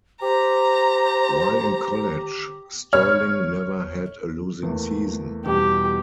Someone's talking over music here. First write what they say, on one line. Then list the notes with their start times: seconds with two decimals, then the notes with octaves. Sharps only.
While in college Stirling never had a losing season.
0.22 G4 C5 A#5
2.93 C#5 F6
4.63 E2 A3 A#3
5.45 E2 B2 G3 G4